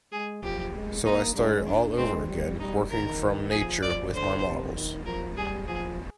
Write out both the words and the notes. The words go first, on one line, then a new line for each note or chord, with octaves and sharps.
So I started all over again, working from nature, with my models.
G#3 G#4
F3 G4
G#3
A#3 D#4
G#3 D4
D4
G#3 C4
G3
G3 D#4
D#3 A#4
F3 G#4
F3 D5
D3 C5
C3
D#3
F3 A#4
G3 G#4
F3 G#4